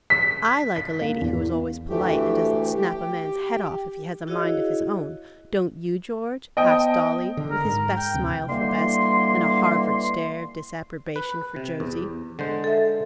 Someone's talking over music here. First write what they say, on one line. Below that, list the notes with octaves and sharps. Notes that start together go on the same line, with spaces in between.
'I like a lady who is always polite, and doesn't snap a man's head off if he has a mind of his own; don't you, George?' asked Dolly, with his best smile for Bess and a Harvard stare of disapprobation for Josie.
B6
B6
A#3
E2
D2 E3 A3 G4
G4
E4 F#4 G#4 C#5 D#5 F5
B3 C5 D#5 G5 A5 D#6
D3
A#4
G#2
G5
D2 C3
B2 D3 E3 G3 A#3 C6
B4
C3
E2
D3 G#3 C5
A4 E5